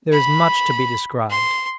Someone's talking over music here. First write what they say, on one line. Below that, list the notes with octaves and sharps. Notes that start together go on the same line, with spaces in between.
There is much to be described.
B5
C6